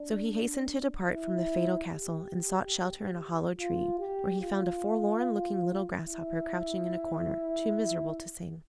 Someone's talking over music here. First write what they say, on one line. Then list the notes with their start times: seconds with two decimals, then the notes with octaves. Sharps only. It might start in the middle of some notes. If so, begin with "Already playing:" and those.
So he hastened to depart from the fatal castle, and sought shelter in a hollow tree, where he found a forlorn looking little Grasshopper crouching in a corner, too miserable to sing.
Already playing: D4
1.10 E4
1.93 G4
3.58 F4
3.99 G4
4.40 F4
6.06 E4